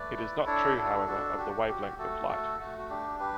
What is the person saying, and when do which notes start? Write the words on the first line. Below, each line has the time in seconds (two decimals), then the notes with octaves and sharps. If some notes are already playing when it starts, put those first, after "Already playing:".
It is not true, however, of the wavelength of light.
Already playing: A3 B4 D5
0.17 E4
0.46 D4 A4 C#5
0.77 D4 F#4 A4
1.07 F#4 A4
1.37 F#4 G4
1.68 F#4 G4
1.99 A3 F#4 A4
2.28 A3 F#4 A4
2.60 A3 F#4
2.78 F#4
2.90 D4 G4
3.20 G3 G4 B4